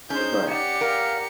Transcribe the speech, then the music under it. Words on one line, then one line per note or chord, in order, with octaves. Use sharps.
D but
C#4 D#4 G#4 C5 G6
G4 D5 F#5 C#7
A#4 F5